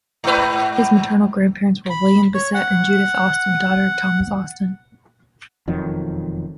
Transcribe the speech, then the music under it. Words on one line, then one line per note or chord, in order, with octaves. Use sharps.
His maternal grandparents were William Basset and Judith Austen, daughter of Thomas Austen.
G#2 B4
B5
C#5
F#5
E1 F2 D#3 F#3